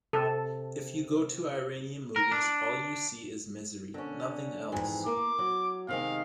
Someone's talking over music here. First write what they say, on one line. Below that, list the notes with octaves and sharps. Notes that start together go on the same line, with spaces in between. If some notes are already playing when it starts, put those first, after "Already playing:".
If you go to Iranian movies all you see is misery - nothing else.
C3 A4
A#4
D4
D3 C#4
F2 G#2 E3
A#3 D6
F#3
C3 D#3 G#3 F5